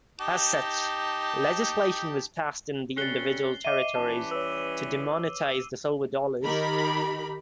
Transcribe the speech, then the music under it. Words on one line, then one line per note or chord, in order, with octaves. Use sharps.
As such, legislation was passed in the individual territories to demonetize the silver dollars.
D#4 G4 A5
G3 A3 C#4 F#6 A6 C7 G7
D#5 E5 D6 D#7
E3 G3 C#4 A5
B4 C#5 E6
D#3 G4 A#4 B5